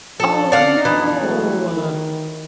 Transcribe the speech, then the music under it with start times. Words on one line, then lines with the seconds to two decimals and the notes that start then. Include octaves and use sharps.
Oh, no.
0.20 F3 D4 A4
0.52 D3 D5 F5 F#5
0.85 F2 B2 E3 D4
1.21 F#3 G#3 A3
1.73 D#3